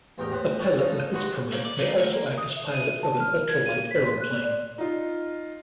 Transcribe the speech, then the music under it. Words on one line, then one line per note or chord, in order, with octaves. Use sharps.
A pilot with this permit may also act as pilot of an ultra-light aeroplane.
A1 E2 G4 A#4 D#5 G5
A2 C4 B4 C5
C#4 D4 D5 G#5
C#4 D#4 F4 A4
G2 G#3 D#4 F#4 F#5 B5
C2 B2 A3 A#3 E4
D5
D#3 F#3 A3 D#4 F4
F3 A3 F4 A#4 C#5 E5
A#3
D#6
E5
D#7
A5
F6
A#4
G#6
D#7
B6
C6
F#6
D5
D#4 F4